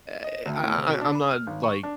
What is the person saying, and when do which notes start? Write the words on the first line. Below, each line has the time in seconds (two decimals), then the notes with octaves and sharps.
Eh I I I'm not, like,
0.24 D#5
0.46 D2
0.63 A2
0.77 C3
0.89 B2
1.01 D4
1.15 B5
1.31 F6
1.47 G#1
1.63 C#6
1.83 D4